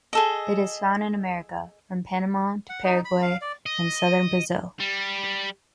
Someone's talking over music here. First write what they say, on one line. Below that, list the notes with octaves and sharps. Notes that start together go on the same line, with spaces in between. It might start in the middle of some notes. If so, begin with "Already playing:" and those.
It is found in America: from Panama to Paraguay and southern Brazil.
G#4 A4 D#5
F#5
D#4
B5
F5
D5
D#5
G3